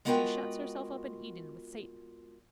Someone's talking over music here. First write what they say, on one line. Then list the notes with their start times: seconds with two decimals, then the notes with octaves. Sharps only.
She shuts herself up in Eden with Satan.
0.05 G#3 B3 F4 F#4 A#4 G5